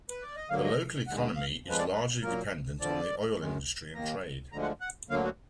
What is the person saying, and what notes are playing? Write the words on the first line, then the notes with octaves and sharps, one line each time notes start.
The local economy is largely dependent on the oil industry and trade.
B4
D5
D#5
D2 D3 F#3 A#3 F5
D#5
D#2 D3 G#3 F#5
F5
F2 F3 G#3 B4
D5
B4
A#2 F#3 A#3 A#4
D2 D3 F3 D5
F#2 D#3 G#3
D#2 D#3 A#3 A#5
D2 D3 F3 G#3 A#5
F#5
F#5
D2 D3 F#3 A#3 F5
F#4